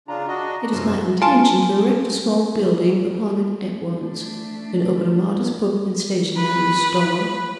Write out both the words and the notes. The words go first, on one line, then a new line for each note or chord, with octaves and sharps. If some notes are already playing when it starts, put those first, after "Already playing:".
It is my intention to erect a small building upon it at once, and open a modest book and stationery store.
C#3 D4 F4 A#5
D4 F#4 D#5
C2 F#2 F4 E6
F4 G#5 A5
A3 D4
B4